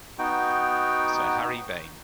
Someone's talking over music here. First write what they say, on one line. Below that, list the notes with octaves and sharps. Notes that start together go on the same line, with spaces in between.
Sir Harry Vane!
B3 D#4 F#4 G5